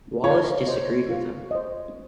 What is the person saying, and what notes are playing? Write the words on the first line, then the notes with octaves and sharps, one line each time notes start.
Wallace disagreed with him.
F4 C#5
C5 D#5
F4
C5 D#5